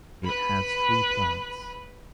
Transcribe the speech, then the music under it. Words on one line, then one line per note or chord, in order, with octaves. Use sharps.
It has three plants.
B4 B5